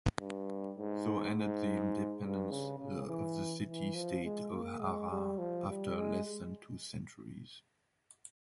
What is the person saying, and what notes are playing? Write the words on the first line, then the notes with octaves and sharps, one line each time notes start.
So ended the independence of the city-state of Harar after less than two centuries.
G2
G#2
G#2
G2
C#3
C#3
E3
E3
F3
G#3
A#3
G#3
G3
F3
G3
G#3